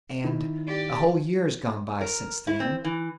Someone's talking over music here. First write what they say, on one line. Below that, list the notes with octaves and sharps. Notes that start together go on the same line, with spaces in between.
And--a whole year's gone by since then.
D#3 E4
G4 D5
A#4
E4
C4
E3